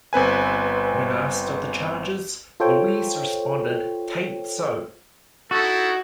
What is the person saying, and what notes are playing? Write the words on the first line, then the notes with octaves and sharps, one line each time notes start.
When asked of the charges, Louise responded: "T'ain't so".
G1 C4 B4 G#5
F4 A4 C5 C#5 G5
D#4 E4 F#4 A4